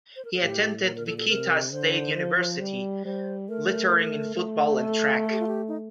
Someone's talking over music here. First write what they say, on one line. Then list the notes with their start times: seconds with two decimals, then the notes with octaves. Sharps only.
He attended Wichita State University, lettering in football and track.
0.16 C5
0.25 A#4
0.33 A4
0.41 A2 G4
0.85 A#2 A#4
0.96 A#4
1.06 A4
1.18 A4
1.29 C3 A#4
1.72 D3 C5
2.16 F3
2.61 G3
3.04 G3 C5
3.49 A3 A#4
4.36 A3
4.80 A4
5.25 A4
5.32 G4
5.40 F4
5.47 G4
5.68 D#4